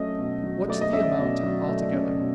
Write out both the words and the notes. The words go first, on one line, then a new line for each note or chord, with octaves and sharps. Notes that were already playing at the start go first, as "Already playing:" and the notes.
'What's the amount altogether?'
Already playing: F#3 A3 C#4 D#5
B2
F#3
A3 D5
D#5
C#4 E5
B2
F#3
A3
C#4
B2